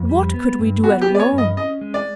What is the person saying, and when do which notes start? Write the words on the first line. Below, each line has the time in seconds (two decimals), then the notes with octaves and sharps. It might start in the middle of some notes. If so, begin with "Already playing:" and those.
What could we do at Rome?
Already playing: F2
0.09 G3
0.34 B3
0.59 G2
0.83 B3 F#4
1.01 G4
1.08 B3
1.15 D5
1.20 C#5
1.33 G2
1.38 D#5
1.57 C#4 D#5
1.81 G#3
1.94 D5